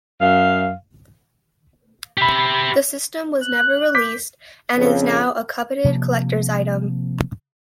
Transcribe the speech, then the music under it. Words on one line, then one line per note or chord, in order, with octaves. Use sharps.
The system was never released, and is now a coveted collector's item.
F#2 F5
G4 E5 B5 B6
F#6
D6 G6 B6
F2 C#3
C3 F3 A#3